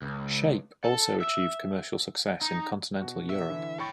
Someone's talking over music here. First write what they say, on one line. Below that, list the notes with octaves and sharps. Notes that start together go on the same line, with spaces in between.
"Shape" also achieved commercial success in Continental Europe.
C#2
A4
E5
D#4
B2 F#4
E5
D3 E3
C#5 G5 B5 C#6 A6